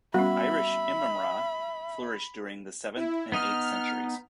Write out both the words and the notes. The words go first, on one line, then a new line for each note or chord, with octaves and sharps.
Irish immrama flourished during the seventh and eighth centuries.
G3 B3 C#4 F#4 E5 B5
E4
B3 D#4 D#5 F6